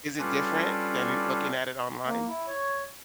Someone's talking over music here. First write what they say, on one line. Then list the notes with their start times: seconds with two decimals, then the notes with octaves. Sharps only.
is it different than looking at it online?
0.18 G3 C#4 D4 F4 A4 B4
2.05 A#3
2.27 E4
2.47 C#5